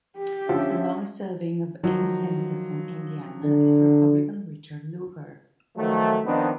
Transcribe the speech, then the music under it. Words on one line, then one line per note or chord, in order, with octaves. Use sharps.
The longest-serving of any Senator from Indiana is Republican Richard Lugar.
G4
D3 F3 C#4 E5
D#3 F3 F#3
D3
D#3 F3 F#3 A3
D#3 F3 B3 C4 D4 D#4